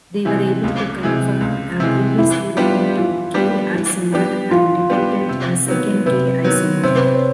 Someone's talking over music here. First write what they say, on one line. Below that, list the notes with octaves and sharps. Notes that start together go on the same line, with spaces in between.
They were able to confirm a previously reported K-isomer and detected a second K-isomer.
C3 E3 G#3
C#2
C3 E3 G#3
C#2
C3 E3 G#3
E3 E4
G3 B3 D4 F4 G4
E3 F4
G3 B3 D4 G4
E3
G3 B3 D4 G4
E3 F4
G3 B3 D4 G4
C3
D#3 F#3 B3
C3 B4
D#3 F#3 B3
C3 C5
B4
C5
C#5